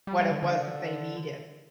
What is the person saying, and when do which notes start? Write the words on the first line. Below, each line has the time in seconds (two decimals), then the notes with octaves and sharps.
what it was that they needed.
0.07 G3
0.19 G3
0.31 D3
0.43 D3